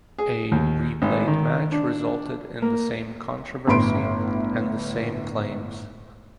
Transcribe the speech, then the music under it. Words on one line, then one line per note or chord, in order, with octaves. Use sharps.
A replayed match resulted in the same controversy and the same claims.
G#4
D#2
G#1
D#3
D4
A#3
G1 A2 B4 B5 C6 D7